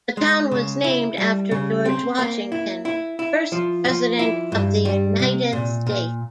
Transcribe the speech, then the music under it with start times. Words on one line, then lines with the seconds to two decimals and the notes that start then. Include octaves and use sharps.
The town was named after George Washington, first President of the United States.
0.17 G#3
0.51 C#3
0.84 E4
1.18 G3
1.51 C#3
1.85 C4
2.19 A#3
2.52 E4
2.85 E4
3.19 E4
3.52 F3
3.86 F3
4.19 E4
4.52 G2
4.85 G3
5.19 C3
5.53 A#2
5.87 A#2